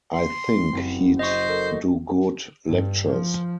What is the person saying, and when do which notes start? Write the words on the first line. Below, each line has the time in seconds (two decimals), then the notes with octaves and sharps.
I think he'd do good lectures.
0.14 C6
0.73 F#1 C4
1.19 C5 D#5 C#6
1.49 A4 A#4
2.67 G2
3.08 F3